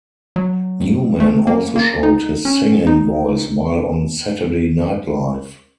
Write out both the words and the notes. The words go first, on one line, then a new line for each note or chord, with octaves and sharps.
Newman also showed his singing voice while on Saturday Night Live.
F#3
A3
A#3
A#3
D#4
C#4
D#4